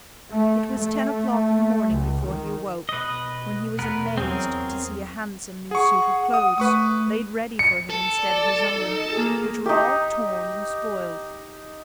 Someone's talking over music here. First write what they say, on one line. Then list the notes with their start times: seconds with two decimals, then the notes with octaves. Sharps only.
It was ten o'clock in the morning before he awoke, when he was amazed to see a handsome new suit of clothes laid ready for him, instead of his own, which were all torn and spoiled.
0.31 A3
0.77 A3
1.91 C#2
2.24 D#3
2.89 B2 B4 D#5
3.79 E2 B2 B3 A#4 B4
4.18 E2 F#3 C4 G#4 A#4
5.71 G#4 F#5 C#6
6.34 D#6
6.58 A3 B4 C#6 D#6
7.59 C#7
7.90 A4
8.21 D5
8.80 D#4
9.13 A#3 G#4
9.66 D#4 G4